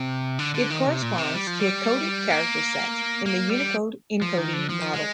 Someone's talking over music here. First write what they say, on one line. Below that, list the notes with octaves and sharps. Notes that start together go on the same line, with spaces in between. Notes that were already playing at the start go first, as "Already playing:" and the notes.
It corresponds to a "coded character set" in the Unicode encoding model.
Already playing: C3
D3
D3
D#3
C3
A#2
C3
G3
F3
G3
A#3
A#3
G3
F3
D#3
D3
F3
G#3